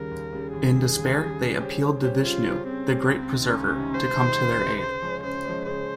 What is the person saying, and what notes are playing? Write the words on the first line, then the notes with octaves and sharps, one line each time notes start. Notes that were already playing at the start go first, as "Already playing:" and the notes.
In despair, they appealed to Vishnu, the great Preserver, to come to their aid.
Already playing: D#2 C#3 G3 A#4
D#2
C#3 G3
D#2 G#4
C#3 G3
D#2
C#3 G3
C#3
G3 C#4 G4 C5
C#3
G3 C#4 G4 C5
C#3 F4
G3 C#4 G4 C5
C#3 C4
G3 C#4 G4 C5
C#2
C3 D#3
C#2 C#4
C3 D#3
C#2 C5
C3 D#3
C#2
C3 D#3
C#3 C5
F3 G#3 C#4
C#3 C5
F3 G#3 C#4
C#3 C5